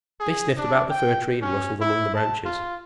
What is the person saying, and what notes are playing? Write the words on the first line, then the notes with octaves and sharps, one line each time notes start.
They snuffed about the Fir Tree, and rustled among the branches.
G#4
D4
G5
C#4
E4
A5
F4